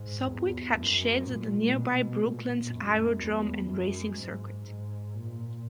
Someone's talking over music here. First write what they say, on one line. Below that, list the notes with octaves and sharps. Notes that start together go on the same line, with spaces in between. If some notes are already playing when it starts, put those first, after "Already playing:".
Sopwith had sheds at the nearby Brooklands aerodrome and racing circuit.
Already playing: G#2
E2
F#2
A#2
B2
A#2
F#2
E2
F#2
G#2
G#2
A#2